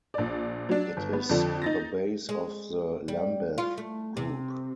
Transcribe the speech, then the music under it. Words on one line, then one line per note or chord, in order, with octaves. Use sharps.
It is the base of the Lambeth Group.
A#1 D5
F#3 D4
G1
B3
F2 D3 F3
D#4 A6 A#6
G#3
G3
F4
A3
C3